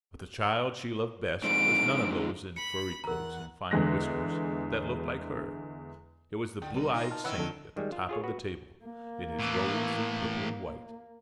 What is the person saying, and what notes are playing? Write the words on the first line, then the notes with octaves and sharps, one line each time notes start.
But the child she loved best was none of those in furry coats and fine whiskers that looked like her; it was the blue-eyed Saint at the top of the table in his robes of purple and white.
F2 G#2 D3 D7
B5 C#7
E2 A#4 F#5 A#5
E2 D3 G#3 F#6 A#6
D3 G5
C2 B2 D#4 A#4
D#4 F4
A5 F6
D#3 F#3 E4 B4 F#5 E6
F2 D3 A4
D#3 G3 G#3
F4
F4 G#4 C#5
F#4 B4
A#3
A2 E3